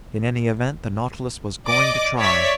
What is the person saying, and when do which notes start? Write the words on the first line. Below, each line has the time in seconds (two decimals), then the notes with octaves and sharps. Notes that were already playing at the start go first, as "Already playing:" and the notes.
In any event the Nautilus was going to try.
1.67 D5 D#5 D6
2.19 C#5 D5 E5 B6